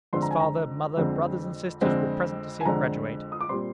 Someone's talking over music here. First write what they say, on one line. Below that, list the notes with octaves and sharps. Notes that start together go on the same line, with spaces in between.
His father, mother, brothers and sisters were present to see him graduate.
F2 D3 G#3 C4 C6
A#5
G#5
A#5
F2 D3 G#3 C4
F2 D3 G#3 C4
G#5
F2 D3 G#3 C4 A#5
D#6
D6
A#2 G3 C4 C6